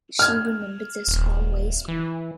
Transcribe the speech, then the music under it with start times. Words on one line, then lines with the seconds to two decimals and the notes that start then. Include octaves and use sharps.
She remembered this always.
0.19 F6 G#6
1.08 D#1
1.88 E3